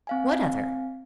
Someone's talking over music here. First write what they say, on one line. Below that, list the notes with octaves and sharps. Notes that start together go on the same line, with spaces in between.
"What other?"
C4 F5 G#5